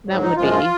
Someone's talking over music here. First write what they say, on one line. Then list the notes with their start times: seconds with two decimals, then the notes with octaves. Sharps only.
That would be.
0.07 G#2 F#3
0.22 D#4
0.36 F#2 F3 G#3 F4